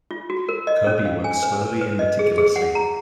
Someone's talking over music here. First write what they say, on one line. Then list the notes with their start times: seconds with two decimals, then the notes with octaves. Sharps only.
Kirby worked slowly and meticulously.
0.11 F4
0.30 F#4
0.49 A#4
0.67 D#5
0.87 C#4
1.05 F5
1.24 G#5
1.43 B4
1.61 B4
1.81 B4
1.99 D#5
2.19 G#4
2.38 G#4
2.56 F#5
2.75 A#5